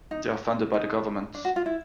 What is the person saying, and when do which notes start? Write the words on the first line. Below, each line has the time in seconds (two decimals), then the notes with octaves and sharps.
They are funded by the government.
0.11 D#4
0.74 D#4
1.35 D4
1.45 F#4
1.56 F4
1.66 E4